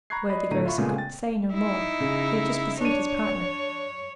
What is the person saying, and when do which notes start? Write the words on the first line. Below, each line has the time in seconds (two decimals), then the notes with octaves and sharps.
The worthy grocer could say no more; he had just perceived his partner.
0.10 A#5 B5 C#6 F#6 G#6 C7
0.29 D5 D#5 B5
0.51 A2 D3 A3 A#5 D#7
0.65 F4 E5 B5 C#6
0.78 A#2 C#3 G#3 A3 B3
0.97 G5 A6
1.54 D#4 E4
2.00 C#3
2.81 D4 C#5 D#7